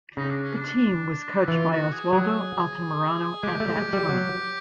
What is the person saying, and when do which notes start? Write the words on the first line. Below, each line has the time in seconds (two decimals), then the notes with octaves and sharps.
The team was coached by Oswaldo Altamirano at that time.
0.17 C#3 D#4
0.30 D4
0.43 C#4
0.57 D4
1.47 E3 F4
1.70 F#4
1.92 G#4
2.13 F#3 G#4
3.43 G#3 G4
3.60 A3
3.76 G#3
3.93 G3
4.09 F#3